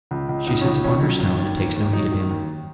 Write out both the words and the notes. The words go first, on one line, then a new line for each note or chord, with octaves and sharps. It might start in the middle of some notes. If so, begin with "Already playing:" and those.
She sits upon her stone, and takes no heed of him.
C#2
C#2
C#2 D#4
C#4
C#2 D#4
D#2 C#4
F#3
D#2
D#2
D#2
D#2
F#3 D#4
D#3
D#2